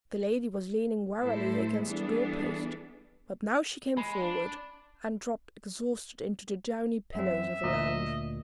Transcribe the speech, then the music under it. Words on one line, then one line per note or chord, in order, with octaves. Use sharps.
The lady was leaning wearily against the door-post, but now she came forward, and dropped exhausted into the downy pillows of a lounge.
A2 G3 E4 A4 C5
E3 G3 B3 D4 G#4 A4
G#3 B5
D4
F#2 C4 E5
D2 A#2 D#5